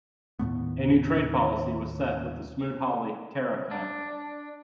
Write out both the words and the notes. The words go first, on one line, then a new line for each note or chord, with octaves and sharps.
A new trade policy was set with the Smoot-Hawley Tariff Act.
D#2 A2 A3 B3
D4